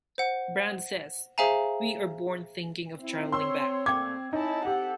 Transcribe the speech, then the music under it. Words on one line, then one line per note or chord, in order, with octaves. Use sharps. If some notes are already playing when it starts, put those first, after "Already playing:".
Brand says, We are born thinking of travelling back.
C5 F#5
G#4 C5 E5 F5 G#5 A#5
C4 E4
C#5 C6 E6
A#2 A3 G5 D6 G#6
D#4 E4 C#5 G#5 A5
C4 D#4 G4 A4 F#5